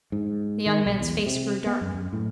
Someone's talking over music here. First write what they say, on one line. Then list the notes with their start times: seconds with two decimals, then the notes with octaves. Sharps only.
The young man's face grew dark.
0.12 G#2
0.66 D#3
0.86 B1
1.01 E2
1.26 C3
1.66 B3
1.81 F#2
1.94 F#2
2.13 A2